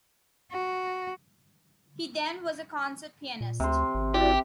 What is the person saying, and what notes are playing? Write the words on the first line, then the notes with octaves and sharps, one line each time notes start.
He then was a concert pianist.
F#4
A#2
D2 C3 C6
G#1
E4 F#4 G4 D5